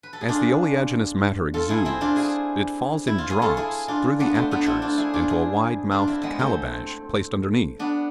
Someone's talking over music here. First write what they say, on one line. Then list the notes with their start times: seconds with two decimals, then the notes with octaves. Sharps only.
As the oleaginous matter exudes, it falls in drops through the apertures into a wide-mouthed calabash placed underneath.
0.03 B4
0.13 A4
0.21 G#4
0.29 D4 F4
1.54 F4 A4
1.69 E4 G#4
1.85 C4 E4
2.01 D4 F4
2.16 E4 G#4
3.07 E4
3.18 F4
3.30 G#4
3.42 F4 A4
3.57 E4 G#4
3.88 D4 F4
4.20 B3 D4
4.35 A3 C4
4.51 B3 D4
4.66 C4 E4
4.82 D4 F4
4.98 E4 G#4
5.14 D4 F4
5.30 E4 G#4
5.91 D4 F4
6.07 C4 E4
6.23 G#3 B3
6.39 A3 C4
7.79 B3 D4